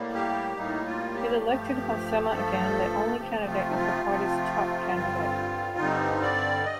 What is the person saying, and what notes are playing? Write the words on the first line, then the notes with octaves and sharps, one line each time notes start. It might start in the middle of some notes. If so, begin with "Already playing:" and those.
It elected Halsema, again the only candidate, as the party's top candidate.
Already playing: A2 G3 A#3
G4
A2 G3 A#3 D#4
F4
G4
G2 F3 A3 G4
G2 F3 A3 A4
C3 F3 A3 C4 G4
F4
D#4
F4
C3 F3 A3 C4
G2 D3 G3 C4
G2 D3 G3 C4 D#4
D5
D#5